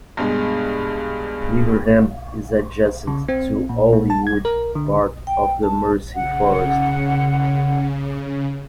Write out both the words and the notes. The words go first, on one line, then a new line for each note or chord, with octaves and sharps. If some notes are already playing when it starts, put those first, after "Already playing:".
Weaverham is adjacent to Owley Wood, part of the Mersey Forest.
G2 B2 G#3
C#3
C4
A#2
A#2
A5
G#6
A#4
D3
G5
A5
C#3 F#5